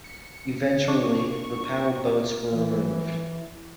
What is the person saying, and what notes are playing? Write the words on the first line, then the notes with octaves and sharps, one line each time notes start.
Eventually, the paddle boats were removed.
C#7
D4 C#6
E3